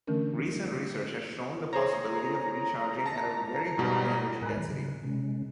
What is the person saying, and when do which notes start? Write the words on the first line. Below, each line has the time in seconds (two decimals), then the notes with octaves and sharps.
Recent research has shown the possibility of recharging at a very high energy density.
0.07 D3 E3 A3 C#4 D4 A#4
1.73 G#4 C5 C#5 A#5
3.06 A5 A#6
3.78 G#2 B2 G3
4.42 A2 A#4 G#5 B5 F#6
4.57 A2 D#3 F#3
4.70 C#3
5.03 C3 G#3 C#4